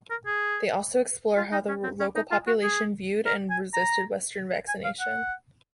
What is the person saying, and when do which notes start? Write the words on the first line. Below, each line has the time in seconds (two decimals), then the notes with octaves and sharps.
They also explore how the local population viewed and resisted western vaccination.
0.10 A#4
0.26 G#4
1.37 F4
1.52 D#4
1.68 C#4
1.83 C4
2.00 C#4
2.16 D#4
2.31 F4
2.47 F#4
2.63 G#4
3.26 A#4
3.50 G#5
3.74 A#5
4.68 G#5
4.84 F5
5.00 F#5